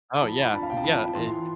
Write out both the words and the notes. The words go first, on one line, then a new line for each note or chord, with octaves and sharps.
Oh, yeah, is yeah, i
B5
F3 A5
B5
D4 A5
F5
G5
A5
F3 B5
E3 C6